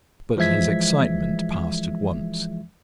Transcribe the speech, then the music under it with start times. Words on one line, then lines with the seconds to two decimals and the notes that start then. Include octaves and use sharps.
But his excitement passed at once.
0.37 E3 F3 G#3 E5 G#6 B6